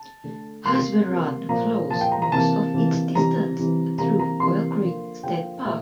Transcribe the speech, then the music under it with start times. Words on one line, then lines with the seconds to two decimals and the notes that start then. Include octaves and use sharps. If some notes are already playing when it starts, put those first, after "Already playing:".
Husband Run flows most of its distance through Oil Creek State Park.
Already playing: A5
0.24 D3 A3
0.66 C3 G3 A#3 C6
1.08 C3 G3 A#3
1.49 A#2 F3 A#3 A#5
1.91 A#2 F3 A#3 A5
2.01 G5
2.12 A#5
2.22 A#5
2.32 C3 E3 A#3 A5
2.74 C3 E3 A#3
3.15 C3 E3 G3 A#5
3.57 C3 E3 G3
3.98 C3 E3 G3 A#3 A#5
4.19 A#5
4.40 C3 E3 G3 A#3 C6
4.82 D3 F3 A#3
5.23 D3 F3 A#3 G5
5.65 A#2 F3 A3 E5